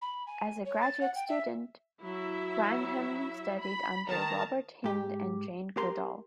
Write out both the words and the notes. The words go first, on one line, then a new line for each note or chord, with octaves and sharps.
As a graduate student, Wrangham studied under Robert Hinde and Jane Goodall.
B5
G#5
C#5
A6
F#5
G5
E5
F#3 E4 E5
B5
D#3 A5 A#5
G#2 G4
G4 A#4 C6